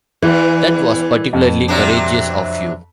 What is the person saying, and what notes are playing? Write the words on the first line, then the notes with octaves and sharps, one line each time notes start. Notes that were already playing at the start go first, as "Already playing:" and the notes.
That was particularly courageous of you.
E2 E3
F2
C3 F#3 D4